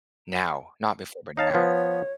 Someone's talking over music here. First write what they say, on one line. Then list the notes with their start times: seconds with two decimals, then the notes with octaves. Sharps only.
Now. Not before, but now.
1.37 D#4 C#5 F5 A5
1.54 F3 B3